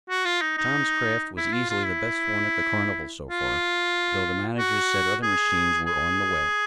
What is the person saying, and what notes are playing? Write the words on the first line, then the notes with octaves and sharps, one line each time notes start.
Tom's craft was easily the best one at the carnival, so far, though the managers said other machines were on the way.
F#4
F4
D#4
D#4
E4
F4
F4
E4
F4
F#4
G#4
G#4